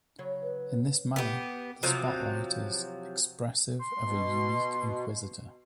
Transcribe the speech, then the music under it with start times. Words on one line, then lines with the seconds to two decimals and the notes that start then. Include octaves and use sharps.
In this manner the spotlight is "expressive of a unique inquisitor".
0.18 C#3 F#3 C#5
0.42 B4
1.16 B3 G4
1.83 C3 F3 F#3
3.80 C6
4.03 B2